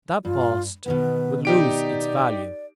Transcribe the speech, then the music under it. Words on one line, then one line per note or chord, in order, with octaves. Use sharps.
"That post would lose its value."
G2 F4
B2 D#3 B3 B4
D#4 G4 D5 D7